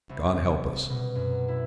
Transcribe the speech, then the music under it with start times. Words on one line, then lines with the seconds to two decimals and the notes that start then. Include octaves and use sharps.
God help us!
0.09 C2
0.90 B2
1.15 F#2
1.48 E4